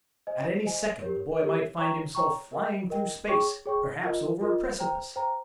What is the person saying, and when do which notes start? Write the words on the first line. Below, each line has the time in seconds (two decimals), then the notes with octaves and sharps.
At any second the boy might find himself flying through space--perhaps over a precipice.
0.27 C5 D#5 G#5
0.64 C5 D#5 G#5
1.02 G4 A#4 C#5
1.40 G4 A#4 C#5
1.77 C#5 G5 A#5 C#6
2.15 C#5 G5 A#5 C#6
2.53 A#4 D#5 G5
2.90 A#4 D#5 G5
3.28 G#4 C#5 G5 C#6
3.66 G#4 C#5 G5 C#6
4.03 F4 A#4 D#5
4.41 F4 A#4 D#5
4.79 C5 G5 A#5
5.16 C5 G5 A#5